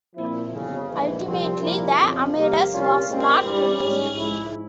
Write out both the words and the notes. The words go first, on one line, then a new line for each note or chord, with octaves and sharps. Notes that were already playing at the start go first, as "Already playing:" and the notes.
Ultimately the "Amadeus" was not produced.
A#2 F3 C4 E4
G1 F2 C#3
A#1 G#2 E3
C2 A#2 F3 C4
C2 A#2 F3 A#3 E4
F2 C#3 F3
F2 C3 G3 A#3
C2 A#2 G3 C#4 F4
A#2 G#3 C4
G2 E3 G3
G#2 G3 C#4
G#2 F3 G#3 E4